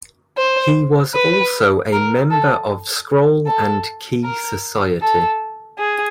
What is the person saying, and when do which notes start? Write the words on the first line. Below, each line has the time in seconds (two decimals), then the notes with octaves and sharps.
He was also a member of Scroll and Key Society.
0.37 C5
1.14 B4
1.92 A#4
2.31 A4
3.47 A4
4.24 A#4
5.01 A4
5.78 G#4